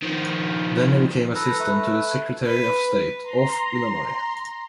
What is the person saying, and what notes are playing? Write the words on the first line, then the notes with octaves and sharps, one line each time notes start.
Then he became assistant to the secretary of state of Illinois.
D#3 F3
A4 B4 A#5
A3 B4
B4
A#5 C6